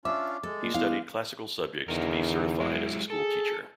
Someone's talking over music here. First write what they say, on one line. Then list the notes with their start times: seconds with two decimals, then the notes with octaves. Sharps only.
He studied classical subjects to be certified as a schoolteacher.
0.05 C#4 D4 F4 E5 D6
0.43 G#3 A4
0.62 A#2
0.74 E2 F5
1.88 E2 D3 D#4 A#4
2.60 F#3 G#3 E4
3.10 G#4 A4